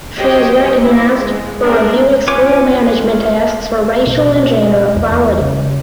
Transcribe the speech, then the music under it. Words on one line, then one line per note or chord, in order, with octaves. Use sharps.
She is recognized for reviewing school management tasks for racial and gender equality.
F#3 G4 C5 C#5 D#5 G5
A#3 E4
G#3
C4 D4 G#4 A#4 C5
F4 B4 C#5 G#5 D6
B2
E2
C#3